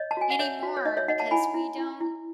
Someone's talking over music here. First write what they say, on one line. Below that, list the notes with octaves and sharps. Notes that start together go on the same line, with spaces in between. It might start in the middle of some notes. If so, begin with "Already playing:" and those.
anymore, because we don't
Already playing: C#5 D#5
A5
F#4 G#5
F#5
C#5 E5
F#4
C#5
D#4 D#5
C#5 E5
D#4 D#5 F#5
F#5 A5
E4 G#5 B5
E4
E4
E4